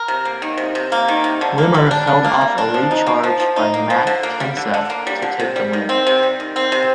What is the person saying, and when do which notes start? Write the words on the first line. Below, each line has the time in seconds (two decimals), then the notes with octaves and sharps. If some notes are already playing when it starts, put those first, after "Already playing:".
Wimmer held off a late charge by Matt Kenseth to take the win.
Already playing: A#4
0.08 C3
0.25 A#3
0.42 D#3
0.57 C3
0.75 C3
0.92 A#3
1.08 D#3
1.24 C3
1.41 D3
1.58 A#3
1.74 G3
1.91 D4
2.07 D3
2.24 A#3
2.41 G3
2.58 D4
2.74 F3
2.91 D#4
3.07 A#3
3.23 F3
3.40 F3
3.56 D#4
3.74 A#3
3.90 F3
4.07 D3
4.23 A#3
4.40 G3
4.57 D3
4.74 D3
4.90 A#3
5.07 G3
5.22 D3
5.40 C3
5.56 G3
5.73 D#3
5.89 C4
6.07 C3
6.23 G3
6.40 D#3
6.56 C4
6.72 C3